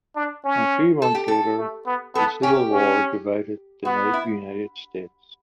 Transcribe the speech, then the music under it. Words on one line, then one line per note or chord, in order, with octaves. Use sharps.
A few months later, the Civil War divided the United States.
D4
C#4
A4
G4
A4
A3
B3
B3 A4
C#4 G4
C#4
B3 F#4
E4